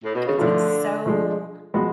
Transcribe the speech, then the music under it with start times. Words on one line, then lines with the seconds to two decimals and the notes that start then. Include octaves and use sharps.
it's it's, so
0.04 A2
0.15 B2
0.27 C#3
0.38 D3 F3 A3 F4
1.06 F3 G#3 D4
1.74 F3 G#3 B3 F#4